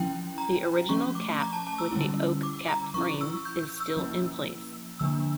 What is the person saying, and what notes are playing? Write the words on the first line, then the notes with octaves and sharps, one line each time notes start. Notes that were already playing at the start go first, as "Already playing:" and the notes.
The original cap with the oak cap frame is still in place.
Already playing: F3 C#4 E4 G5
A#5
F3 A3 C#4 C#6
D6
A#5
A5
A5
E6
D3 G3 C#4 E4
D6
A#5
F3 C#4 E4 C#6
E6
G6
G6
E6
F3 A#3 C#4 E4
D3 F3 A#3 D4 E6